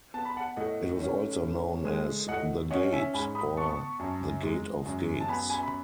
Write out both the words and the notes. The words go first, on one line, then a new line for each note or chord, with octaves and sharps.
It was also known as "the Gate" or "the Gate of Gates".
B3 A5
B5
F#5 A5
A2 D#5 F#5
C#4
A2
G#3
A2 D#5 F#5
C#4 D#5 F#5
E5 G#5
G#2 G#5 B5
B5 D#6
B3 A5 C#6
F#2
G#3
F#2
A5
B3 G#5 B5
G#5 B5
B5